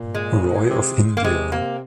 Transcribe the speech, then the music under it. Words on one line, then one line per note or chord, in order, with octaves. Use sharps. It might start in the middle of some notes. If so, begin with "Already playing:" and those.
Roy of India.
Already playing: A#2
G#3
C3
A#3
C3 G#3
C3 A#3